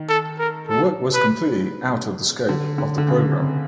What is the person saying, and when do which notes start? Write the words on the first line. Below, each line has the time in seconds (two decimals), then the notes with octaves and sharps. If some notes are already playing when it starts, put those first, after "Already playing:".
The work was completely out of the scope of the program.
Already playing: D#3
0.09 A4
0.39 A#4
0.68 A4
1.14 B4
2.49 D3
2.78 D3
2.98 D3
3.08 C#3
3.38 C3